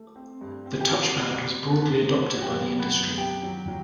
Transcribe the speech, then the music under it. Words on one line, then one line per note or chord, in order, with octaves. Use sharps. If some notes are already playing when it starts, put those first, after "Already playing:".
The touchpad was broadly adopted by the industry.
Already playing: A3
C4
G2
C4
G4
C3 F#4
G3
C4
B3
C3
B3
F#4
F#2 G4
F#2
B3 B4
F#2
C3 G4 G5
F#3
F#3